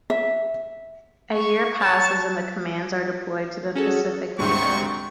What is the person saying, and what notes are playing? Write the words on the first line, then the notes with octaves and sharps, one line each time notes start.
A year passes and the commandos are deployed to the Pacific Theatre.
E5
C#6
C#5 A5
C#4 F#4 G#4 A4
D2 G#2 G3 C4 C#6